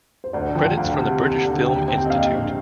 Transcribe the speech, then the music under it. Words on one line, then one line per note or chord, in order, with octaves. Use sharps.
Credits from the British Film Institute.
C5
D2 D5
F3 G5
D2 F5
C3
D#2
D3
D#2 G5
C4 G5
D#5
A#2 F5
A#1